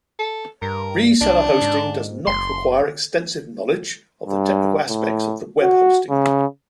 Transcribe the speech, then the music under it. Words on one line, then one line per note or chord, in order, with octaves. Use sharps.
Reseller hosting does not require extensive knowledge of the technical aspects of web hosting.
A4
G2 A#4
C2 D4
G#2
F#1 C6
G2
A2
F#4
C#3